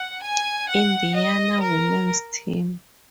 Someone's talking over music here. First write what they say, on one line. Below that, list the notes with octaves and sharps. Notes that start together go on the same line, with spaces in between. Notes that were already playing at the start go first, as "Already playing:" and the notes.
Indiana women's team.
Already playing: F#5
G#5
F#5
D#5
A#4